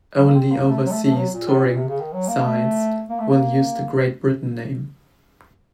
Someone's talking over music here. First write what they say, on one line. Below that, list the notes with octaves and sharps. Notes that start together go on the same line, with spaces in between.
Only overseas touring sides will use the Great Britain name.
F#3
A#3
C4
A#3
A3
F#3
A3
A3
F3
F#3
A#2
A2
A#2
C3
C#3
D#3
F#3
A#3
A3
A#3
A3
A#3